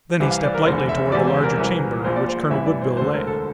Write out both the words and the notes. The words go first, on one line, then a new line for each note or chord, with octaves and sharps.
Then he stepped lightly toward the larger chamber in which Colonel Woodville lay.
C2 C3 E3
F5
D5
A#4
F1 E2 D3 C5
E5
E1 E2 C3 E3 D5
C5
A#4
C2 C3 E3
A#1 A#2 C5
D5
C5
A1 G2 E3 E5
D5
C5
E1 D2 D3 C5
A#4
A4